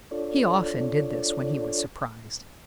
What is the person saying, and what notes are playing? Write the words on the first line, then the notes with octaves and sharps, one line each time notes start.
He often did this when he was surprised.
D4 F4 A4 C#5 D5